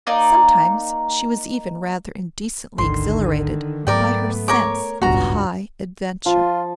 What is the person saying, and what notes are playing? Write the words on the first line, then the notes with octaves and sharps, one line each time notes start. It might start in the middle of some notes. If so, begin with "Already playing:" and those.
Sometimes she was even rather indecently exhilarated by her sense of high adventure.
A#3 D#4 D5
G#1 D2 D3 D#3 C6
G#2 F#3 A3 B3 A#4 D5 G5
A#4 C#5 D6
D#1 G#1 C#2 G2 B3 F#4 A#5
F3 F4